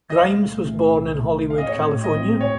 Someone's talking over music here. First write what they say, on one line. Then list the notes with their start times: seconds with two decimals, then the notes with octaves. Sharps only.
Grimes was born in Hollywood, California.
0.10 D#5
0.15 C2 A#2 A3 F5
1.50 F5
1.58 D#5
1.66 A#1 A2 F#3 C4 C#5
2.04 D#5
2.41 C#5